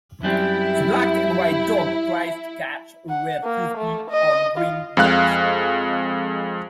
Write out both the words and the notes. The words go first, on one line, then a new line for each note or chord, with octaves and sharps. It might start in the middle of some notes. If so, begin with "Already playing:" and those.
The black and white dog tries to catch a red Frisbee on green grass.
F#2 G3 C4 E4
F#5
A#3
A3
D#5
F4
F2 G#3 F5 F#6